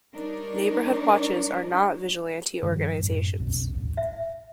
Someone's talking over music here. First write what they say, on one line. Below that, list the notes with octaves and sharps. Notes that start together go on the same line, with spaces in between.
Neighborhood watches are not vigilante organizations.
G3 D4 D#4 A#4 C#5
G2 D#3 F3 G3
F#2 A2
B1 F2 B2
D#1 G#1 A2
E5